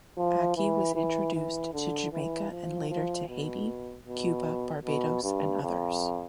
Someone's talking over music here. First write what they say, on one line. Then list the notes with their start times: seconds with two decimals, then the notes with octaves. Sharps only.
Ackee was introduced to Jamaica and later to Haiti, Cuba, Barbados and others.
0.17 F3
0.56 E3
0.95 E3
1.34 E3
1.73 D3
2.12 E3
2.51 F3
2.89 F3
3.29 B2
4.07 B2
4.85 B2
5.23 G2
5.63 F2